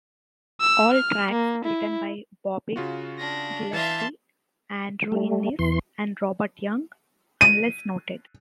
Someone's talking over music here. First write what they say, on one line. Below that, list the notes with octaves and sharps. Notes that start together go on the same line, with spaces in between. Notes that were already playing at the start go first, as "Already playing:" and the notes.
All tracks written by Bobby Gillespie, Andrew Innes and Robert Young, unless noted.
E6
F6
A#3
E4
C#3 F4 F#4
D4 A#6
E3 E5 F5 A5 C6
G3 A3
E2 E3 C6
D#7